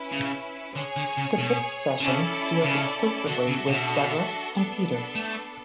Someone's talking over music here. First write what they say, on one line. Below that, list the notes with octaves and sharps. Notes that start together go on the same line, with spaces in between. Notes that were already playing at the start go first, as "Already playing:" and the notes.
The fifth session deals exclusively with Severus and Peter.
Already playing: C#4 E4 B4
C#3
D3 G#4 C#5 G#5
D3
C#3
B2
C#3 C#4 E4 A4 D5
C#3
D3 D4 F#4 A4 E5
C#3
B2
B3 D4 A4
A3